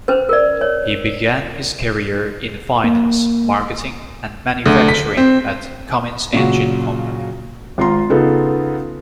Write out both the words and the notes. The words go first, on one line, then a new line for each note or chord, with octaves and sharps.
He began his career in finance, marketing, and manufacturing at Cummins Engine Company.
C#4 B4 C5
A#4 D5
C#5
A#3
D2
B6
C4
A#2 C#3 F#3 F#4
G#1 F4 A#5 C6
C#3 B3 D#4 F4 G#4 A4